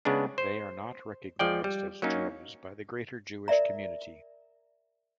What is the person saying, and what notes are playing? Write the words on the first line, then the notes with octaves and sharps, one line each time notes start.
They are not recognized as Jews by the greater Jewish community.
C#3 G#3 B3 D4
C5
F3 G#3 D5 G5
G3
F#3 A#3 C#4 D#4
A#4 D5 E5 A#5